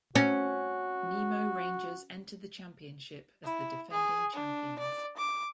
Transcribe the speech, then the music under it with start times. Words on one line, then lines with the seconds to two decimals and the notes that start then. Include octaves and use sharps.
Nemo Rangers entered the championship as the defending champions.
0.15 C#4 F#4
3.45 E4
3.91 G#4
4.33 D4
4.79 D5
5.17 D6